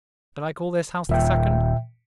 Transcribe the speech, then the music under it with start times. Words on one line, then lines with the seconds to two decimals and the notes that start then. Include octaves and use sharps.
Did I call this house the second?
1.09 D#1 A#2 E5 G5